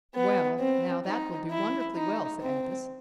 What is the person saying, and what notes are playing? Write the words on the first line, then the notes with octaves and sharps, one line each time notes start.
"Well, now that will do wonderfully well," said Athos.
B3
C4
D#4
E4
D#4
C4